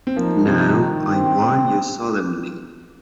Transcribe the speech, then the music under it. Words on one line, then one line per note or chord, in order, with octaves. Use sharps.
Now, I warn you solemnly.
C4
F3 A#3 D#4
C3 F3
D#3
C4